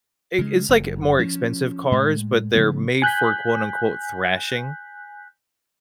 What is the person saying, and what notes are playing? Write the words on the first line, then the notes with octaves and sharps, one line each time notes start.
i it's like more expensive cars, but they're made for quote, unquote, "thrashing?"
C#3 G#3
F#1
F3 C#4
A2 G#3
C#3 F3 G#3 B3
G#5 F#6 G6 B6